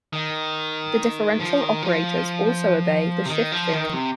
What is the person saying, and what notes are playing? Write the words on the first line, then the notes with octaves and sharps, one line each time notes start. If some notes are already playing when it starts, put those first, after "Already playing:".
The differential operators also obey the shift theorem.
D#3
F3
D#3
F3
C3
D#3
F3
D#3
C3